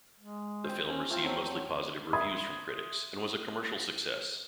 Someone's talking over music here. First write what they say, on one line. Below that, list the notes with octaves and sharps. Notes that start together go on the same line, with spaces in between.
The film received mostly positive reviews from critics and was a commercial success.
G#3
C4 C5
C#4
A3 C4 F4
F#3 C4 A4
E5 B5 C6 D#6 G#6